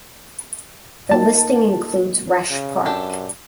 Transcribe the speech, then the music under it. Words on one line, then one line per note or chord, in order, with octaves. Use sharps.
The listing includes Resch Park.
A#3 D#4 A5
C#3
F#2 D4 G4 A4